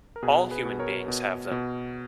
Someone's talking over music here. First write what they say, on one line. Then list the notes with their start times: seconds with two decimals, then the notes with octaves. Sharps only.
All human beings have them.
0.16 A#4
0.22 B2 G#4 B4
0.51 G#4 B4
0.65 B2
0.79 A#4 C#5
1.08 B2
1.51 B2